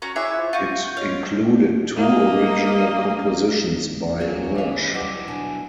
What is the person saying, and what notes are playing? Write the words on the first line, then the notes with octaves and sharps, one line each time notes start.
It included two original compositions by Hersch.
C#4 F#4 A#5
E4 G#4 C#5 E5 D6 F#6
F4 C5
F4 F#4 C#6 G6
F4 C#5 D#5 F5
A#3 D#5
F#3 G3 A#3 C#4 F4
E3 D#4 E4 B4 C#5 D#5 F5
F#3 G3 E4 F#5 D6
B2 D4 G#5